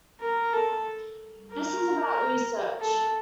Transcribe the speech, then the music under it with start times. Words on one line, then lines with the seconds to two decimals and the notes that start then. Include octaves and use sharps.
This is about research.
0.20 A#4
0.53 A4
1.50 A#4
2.80 A4